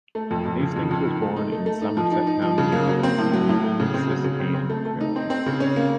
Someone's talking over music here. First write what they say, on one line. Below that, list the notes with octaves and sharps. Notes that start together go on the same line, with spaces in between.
Hastings was born in Somerset County, Maryland, near Princess Anne, Maryland.
A3
F2
F2
C#3
F2
F2
D#3
A3
D#4
A3
A3
D#4
F3
D#4
D#4
F3
C#3
A#3
F#3
C4
A2
F#3
A2
A3
C#3
C4
F#3
C#3
C4
C4
A3
A3
D#4
C4
C4
C#3
C#4
A#3